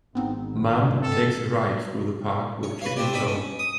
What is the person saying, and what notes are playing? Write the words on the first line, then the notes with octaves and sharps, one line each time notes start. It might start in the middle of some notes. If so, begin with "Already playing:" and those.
Mom takes a ride through the park with kid in tow.
G#1 B3 C4 D#4
G2 C4 A4 E7
C#5
B4 C#5 F5
C4 D4 G4 D5
C4 D#4 B5 D6
C#4
D#6